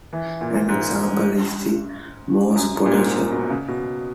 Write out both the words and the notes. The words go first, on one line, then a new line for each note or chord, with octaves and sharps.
An example is the Morse potential.
E3
A#2
G#2
F#2
F#2
A#2
G#2
A#2
B2
C#3
B2